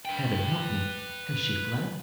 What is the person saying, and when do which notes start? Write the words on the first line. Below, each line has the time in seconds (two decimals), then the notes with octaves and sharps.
Heaven help me! has she fled?
0.05 B4 G5